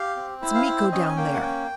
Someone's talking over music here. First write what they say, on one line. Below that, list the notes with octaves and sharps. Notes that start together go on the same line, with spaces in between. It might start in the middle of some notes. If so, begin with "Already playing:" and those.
It's Miko down there!
Already playing: G4 F5
C4
E4 E5
F5
C4 E5
C#4 D#5
G#5
A#3 G5
F#5
C#4 G5